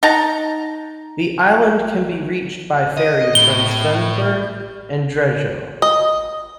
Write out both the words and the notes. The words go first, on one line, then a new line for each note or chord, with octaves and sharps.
The island can be reached by ferry from Svendborg and Drejø.
D#4 F#5 A5 A#5
D#5
A2 G7
D#5